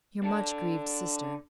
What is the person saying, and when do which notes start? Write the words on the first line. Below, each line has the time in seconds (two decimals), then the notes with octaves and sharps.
'Your much grieved sister.'
0.24 D4 A4